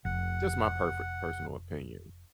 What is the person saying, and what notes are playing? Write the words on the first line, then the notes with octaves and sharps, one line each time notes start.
Just my perfe personal opinion.
F1 F#5